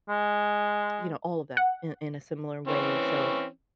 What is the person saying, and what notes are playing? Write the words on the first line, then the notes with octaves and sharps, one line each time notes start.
you know, all of that, in in a similar way. So,
G#3
F#5
E3 C4 C#4